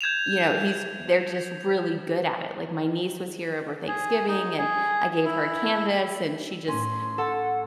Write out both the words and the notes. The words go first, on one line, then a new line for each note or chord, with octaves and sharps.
you know, he's they're just really good at it, like, my niece was here over Thanksgiving, and I gave her a canvas, and she just
G6 G#6 E7 F7
G#4
D#4
G#4
E4
A2 C#4 C6
A4 F#5